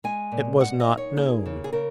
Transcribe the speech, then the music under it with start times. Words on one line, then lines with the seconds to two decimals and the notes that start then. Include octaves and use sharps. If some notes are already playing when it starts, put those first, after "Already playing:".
It was not known.
0.04 G#3 G#5
0.32 A#2
0.60 A#2 F#5
0.80 D#5
0.88 D#4
0.97 C#5
1.17 A#3 G#4
1.46 C#3
1.64 G#4
1.73 C#3 A#4